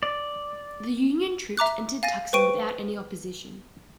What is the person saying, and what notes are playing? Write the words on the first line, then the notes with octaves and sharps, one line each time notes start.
The Union troops entered Tucson without any opposition.
D5
E5 A#5 D6 F#6
F5 G#5 A6 A#6 D#7
B4 C5 G5 C#6 D7 D#7